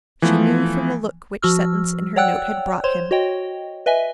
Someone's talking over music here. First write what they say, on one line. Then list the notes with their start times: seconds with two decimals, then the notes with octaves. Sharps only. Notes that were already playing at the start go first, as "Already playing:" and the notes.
She knew from the look which sentence in her note had brought him.
0.22 E3 F3 A3 B3
1.42 F3 F#4 E6 F6
2.16 C#5 D5 F#5 G5 E6 F#6
2.84 C5 C#5 C6
3.11 F#4 C#5 D#5 G5
3.86 B4 D#5 E5 G#5